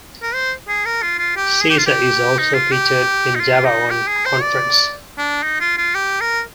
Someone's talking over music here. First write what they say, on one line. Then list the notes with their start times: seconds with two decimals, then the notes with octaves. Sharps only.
Seasar is also featured in JavaOne conference.
0.22 A#4
0.34 C5
0.68 G#4
0.85 A#4
1.02 F4
1.19 F4
1.36 G4
1.61 G#4
1.70 G4
1.78 F4
1.87 G4
2.38 D#4
2.54 F4
2.72 G4
3.35 D#4
3.40 F4
3.65 D#4
3.90 G4
4.07 G#4
4.25 C5
4.42 D5
5.18 D4
5.43 D#4
5.60 F4
5.77 F4
5.94 G4
6.20 A#4